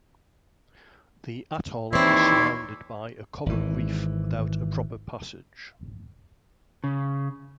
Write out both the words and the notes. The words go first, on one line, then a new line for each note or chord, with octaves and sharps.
The atoll is surrounded by a coral reef without a proper passage.
D#2 E3 C4 E4 C#5 D5 C6
G#1 E3
C#3